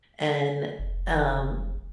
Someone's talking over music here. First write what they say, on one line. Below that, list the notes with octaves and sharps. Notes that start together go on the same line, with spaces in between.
and, um,
F1